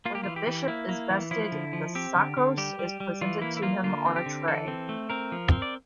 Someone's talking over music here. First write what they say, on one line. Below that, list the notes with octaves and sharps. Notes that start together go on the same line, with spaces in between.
When the bishop is vested, the "sakkos" is presented to him on a tray.
A#3 F4
G4
E3 F4
G4
E3
A#3 E4
A#3
E3
F3 E4
D3
F3
C4 G4
D3
D3
G3 G4
G3
G3
E3 F4
A#3 E4
E4
A#3 F4
D3 F4
C4
G4
D3
E3 A4
C4
A3
C4 A#4
F3
C4
D5